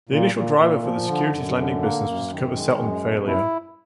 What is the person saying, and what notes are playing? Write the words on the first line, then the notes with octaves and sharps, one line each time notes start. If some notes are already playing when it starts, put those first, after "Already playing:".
The initial driver for the securities lending business was to cover settlement failure.
A#2
A#2
A#2
F3
D3
F#2
D3
A#3
F#2
D#3
G#3
F#2
B2
E4